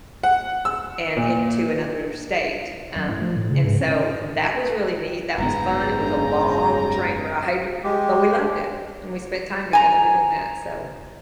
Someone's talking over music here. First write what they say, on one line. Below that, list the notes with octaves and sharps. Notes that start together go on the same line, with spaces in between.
and into another state, um, and so that was really neat, that was fun, it was a long train ride, but we loved it, and we spent time together doing that, so
F#5
E6
A#2
F#2
A2
F3
A2
C#3
G#2
C#4
F#1 G#2 B3 G5 A#5
C#3
G#3 G4
G#5 A#5